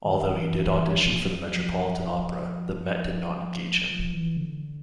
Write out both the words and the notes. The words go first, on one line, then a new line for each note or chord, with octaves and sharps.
Although he did audition for the Metropolitan Opera, the Met did not engage him.
D#3
E3
E3
F3
F#3
F3
F3
E3
D3